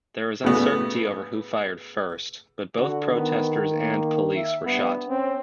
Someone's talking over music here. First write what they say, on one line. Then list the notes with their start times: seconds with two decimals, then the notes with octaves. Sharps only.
There is uncertainty over who fired first but both protesters and police were shot.
0.43 A2 C#3 A3 B3 F#4
2.77 D3 F#4
3.13 D#3 B3
3.74 A#3
4.36 E5
4.65 G2 B3
5.09 C4 C#4